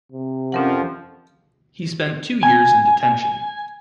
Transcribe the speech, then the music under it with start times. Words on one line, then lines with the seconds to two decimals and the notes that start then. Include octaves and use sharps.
He spent two years in detention.
0.12 C3
0.52 F2 F3 C#4 A#4 F#5
2.43 G#5